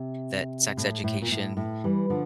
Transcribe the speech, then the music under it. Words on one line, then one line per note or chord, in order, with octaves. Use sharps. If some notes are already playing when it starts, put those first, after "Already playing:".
that sex education
Already playing: C3
A2
A2
A#2
A2
A2
E3 G3
D3 F3